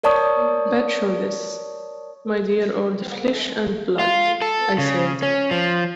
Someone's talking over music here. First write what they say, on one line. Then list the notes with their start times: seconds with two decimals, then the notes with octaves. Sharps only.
"Bad show this, my dear old flesh and blood," I said.
0.04 A#4 C#5 D5 A5 C#6 D#6
3.99 F4
4.42 A4
4.78 C#3
5.22 C#4
5.51 F3